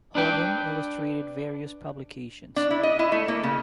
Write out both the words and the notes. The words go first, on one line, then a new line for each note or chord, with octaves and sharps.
Holden illustrated various publications.
D4 B4 G5
D4
E4
D#5
E4
A3
A#3
C#3